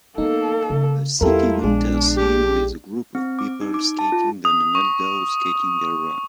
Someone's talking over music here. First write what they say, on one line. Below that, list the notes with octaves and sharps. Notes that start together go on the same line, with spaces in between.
A city winter scene with a group of people skating on an outdoor skating area.
A#3 B3 D#4 F4 A4
C#3
E2 G3 E4 F4 G4 A4 A#4
A#1 G#3 B3 D4 G#4
G4
C4
D6
D#4
D6
A5
F4
D#6
C#6